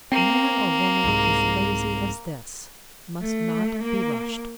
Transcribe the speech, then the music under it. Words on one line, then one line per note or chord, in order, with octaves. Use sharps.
A man or woman as lazy as this must not be rushed.
A#3 C4
C2 G#2
A3
A#3